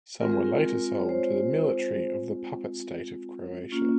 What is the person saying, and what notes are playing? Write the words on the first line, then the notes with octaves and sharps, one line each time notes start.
Some were later sold to the military of the puppet state of Croatia.
G#3 C4 F4 A#4
G#4
A#4
A#4
C#5
C5
A#3 C#4 F4